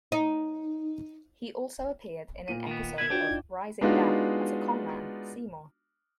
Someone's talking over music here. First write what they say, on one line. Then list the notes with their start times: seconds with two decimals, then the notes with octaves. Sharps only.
He also appeared in an episode of "Rising Damp" as a conman, Seymour.
0.12 D#4
2.48 A#2 D#7
2.67 D#3 B3
2.98 B2 E4 B4 G#6
3.10 D4 F4 F#4 B4 G5
3.26 D#4 F4
3.81 G#3 B3 D4 D#4 F4 F#4